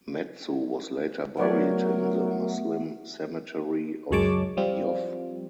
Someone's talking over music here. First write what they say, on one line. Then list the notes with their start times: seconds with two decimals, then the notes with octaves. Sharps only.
Metsu was later buried in the Muslim cemetery of Yoff.
1.38 F#3 A3 B3 A#4 B4 C#5 D5
4.11 C#2 F#2 G#3 C#5 A5 D6
4.57 F3 G3 C4 F4